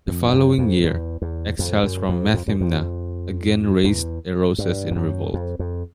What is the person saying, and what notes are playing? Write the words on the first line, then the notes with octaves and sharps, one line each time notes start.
The following year, exiles from Methymna again raised Eresos in revolt.
F2
G2
F#2
F2
E2
E2
F2
F#2
F2
F2
F#2
F2
E2
G2
F2
F#2
F2
F2